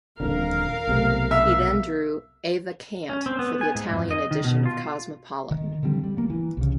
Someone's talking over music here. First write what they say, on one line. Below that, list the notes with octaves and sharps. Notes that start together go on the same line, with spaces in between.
He then drew "Eva Kant" for the Italian edition of "Cosmopolitan".
D#1 F2 D3 A#4 F5
B1 C3 A3
E5
C#4
C4
B3
G#5
G#2
F2
D#5
D#3
B2
F4
D#3
D3 F3 G3 C4
G3
F3 A#3
E3
C2 C#3